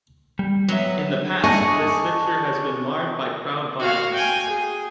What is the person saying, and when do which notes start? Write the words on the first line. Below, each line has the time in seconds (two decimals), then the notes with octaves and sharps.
In the past this fixture has been marred by crowd violence.
0.39 G3
0.68 F#3 B3 E5
1.44 D4 G#4 A4 D#5 C#6
3.80 F#4 F5
4.14 G5 G#5
4.49 G#4